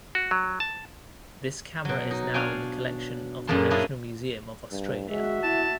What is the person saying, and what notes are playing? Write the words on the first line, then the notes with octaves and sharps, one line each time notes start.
This camera is now in the collection of the National Museum of Australia.
F#4
F#3
A5
B2 F#3
D#4
D4 C#5 F5 G5 G#5
F#2 A#2 G#3 A#3 A5 C6
D4 E4 F4 G#4 C#5 D#5
G2
G#3 F#4 E5
E4 A5